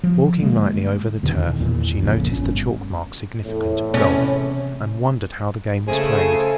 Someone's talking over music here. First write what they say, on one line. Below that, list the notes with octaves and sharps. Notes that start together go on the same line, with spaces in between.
Walking lightly over the turf, she noticed the chalk marks significant of golf, and wondered how the game was played.
F3
D3 G#3 A#3
E2 B2 D3 D#3
E2 A#2
A#1 F2 A#2 C#3
G1 C#4
E2 A2
C3 C#4
C#3 A3 G#4 A4 C5